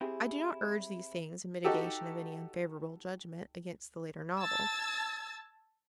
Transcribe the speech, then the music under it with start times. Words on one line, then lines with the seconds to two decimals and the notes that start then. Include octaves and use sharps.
I do not urge these things in mitigation of any unfavourable judgment against the later novel.
0.01 C4 E4 G4 G#4
1.65 D#4 F#4 G4 A4
4.37 A5 E6 G#6 A6